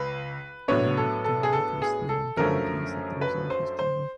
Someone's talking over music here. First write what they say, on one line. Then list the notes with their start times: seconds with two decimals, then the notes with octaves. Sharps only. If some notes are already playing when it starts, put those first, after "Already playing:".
Now, the uniqueness theorem guarantees that the result is general.
Already playing: C#2 B4
0.68 A2 F#3 B3 D4 C#5
0.97 A4
1.24 A4
1.43 G#4
1.53 A4
1.82 G#4
2.09 A4
2.37 F#2 D3 F3 A3 C#4 A#4
3.21 B4
3.50 C5
3.79 C5